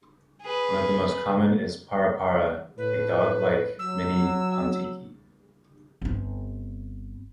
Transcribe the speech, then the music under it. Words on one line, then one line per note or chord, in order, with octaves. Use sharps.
One of the most common is Parapara, a dog-like mini pontiki.
G#4 B4
A2 B4
F#3 E6
G1 C4